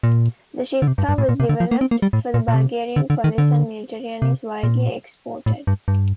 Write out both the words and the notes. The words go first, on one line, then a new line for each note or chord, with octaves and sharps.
The Shipka was developed for the Bulgarian police and military and is widely exported.
A#2
D3
C3
G2
G2
A2
A#2
C3
D3
F3
A#3
C4
A#3
G3
A2
A#2
A#2
C3
D3
D3
D#3
D3
C3
A#2
A2
G2
G2